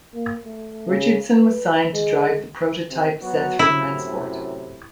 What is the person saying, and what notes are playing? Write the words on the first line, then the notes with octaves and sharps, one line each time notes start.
Richardson was signed to drive the prototype Zethrin Rennsport.
A#3
A3
C#3
B4
G#3
C3
F#3 B3 F#4
F#2 A2 C3 E4